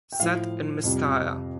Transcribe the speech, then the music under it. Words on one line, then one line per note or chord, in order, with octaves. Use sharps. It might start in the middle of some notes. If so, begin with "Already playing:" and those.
Set in Mystara.
G5
A2 F3 F5
F2 C3 G3